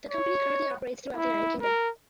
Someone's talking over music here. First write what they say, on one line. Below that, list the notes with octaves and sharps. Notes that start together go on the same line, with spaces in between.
The company currently operates throughout the United Kingdom.
C#5
E4
A#4